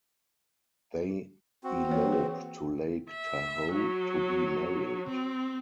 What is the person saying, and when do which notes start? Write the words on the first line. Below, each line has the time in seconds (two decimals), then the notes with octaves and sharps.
They elope to Lake Tahoe to be married.
1.64 C4 F#4
1.89 E3 A#3 C#5
2.12 G#4 B4
3.10 E5
3.73 F#3
5.08 C4